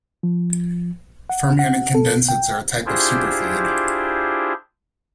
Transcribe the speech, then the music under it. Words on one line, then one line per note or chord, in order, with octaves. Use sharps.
Fermionic condensates are a type of superfluid.
F3
F#5
F#5
A4
G5
D4 E4 F4 G4 G#4 C5